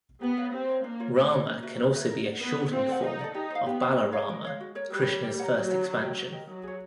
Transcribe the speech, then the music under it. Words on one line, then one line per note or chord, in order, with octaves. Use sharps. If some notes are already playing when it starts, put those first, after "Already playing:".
Rama can also be a shortened form of Balarama, Krishna's first expansion.
B3 G4
A#4 C#5 F5
C4 G4
A#4 C#5 F5
A#3 D4
F4 A#4 C#5
A3 D4
F4 A#4 C#5
A#3 C#4
F#4 B4 E5
C#4
F#4 B4 E5
A#4
D5 F#5
B3 A#4
D5 F#5
C4 F4
A4 D5 F#5
D#4 F4
A4 D5 F#5
D#4 G4
C5 F5
B3 G4
C5 F5
G#3 A#4
C#5 F5
A#4
C#5 F5
F#4
A#4 C#5
G3 F#4
A#4 C#5
A#4
C#5 F#5 A#5
F#3 A#4
C#5 F#5 A#5
D4
G4 A#4 D#5
D4
G4 A#4 D#5
F#3 D#4
G#4 C#5